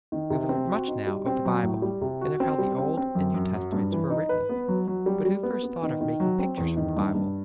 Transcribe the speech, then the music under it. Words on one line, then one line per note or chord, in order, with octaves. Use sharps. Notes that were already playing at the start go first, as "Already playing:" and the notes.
We have learnt much now of the Bible, and of how the Old and New Testaments were written, but who first thought of making pictures from the Bible?
D#3
C3
C4
F#4
D#4
G3
C4
F#3
A2
G3
C3
F#4
C4
G3
C4
C4
F#2
F#2
F#3
G2
E3
D#4
B4
B3
F#3
F#3
G3
G3
B3
B3
D#3
D#3
F#3
C4
E2
D#3
G2
G2